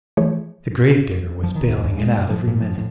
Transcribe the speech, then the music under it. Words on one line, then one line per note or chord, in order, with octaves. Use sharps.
The gravedigger was baling it out every minute.
E3 F3 A3 G#4 C#5
F3
D#3
D#2
D#2
G#3
G2
F3
A#2
F3
A2